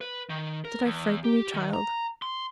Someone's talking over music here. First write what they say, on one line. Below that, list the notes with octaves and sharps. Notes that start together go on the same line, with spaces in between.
Did I frighten you, child?
B4
D#3
A#4
E2
G4
D#3
A#5
C6